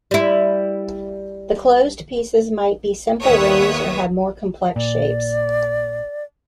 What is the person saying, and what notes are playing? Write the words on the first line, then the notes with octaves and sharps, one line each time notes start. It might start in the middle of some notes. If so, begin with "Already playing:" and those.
The closed pieces might be simple rings or have more complex shapes.
G3 E4
D#2 B3 B4 C#5 E5 D#6
A#2 D5